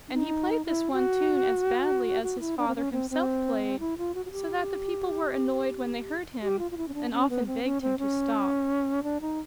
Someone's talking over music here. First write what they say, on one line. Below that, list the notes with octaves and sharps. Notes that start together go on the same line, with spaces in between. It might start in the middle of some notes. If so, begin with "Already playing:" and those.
And he played this one tune as badly as his father himself played, so that the people were annoyed when they heard him, and often begged him to stop.
D4
D#4
E4
F#4
F#4
E4
D4
C4
C#4
C4
C4
E4
F4
F#4
F#4
G4
G4
F4
F4
E4
C#4
D4
C#4
B3
C4
C#4
C4
C#4
D4
D#4